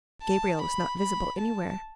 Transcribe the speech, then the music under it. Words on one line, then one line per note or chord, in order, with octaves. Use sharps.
Gabriel was not visible anywhere.
A5
B5
B5
A5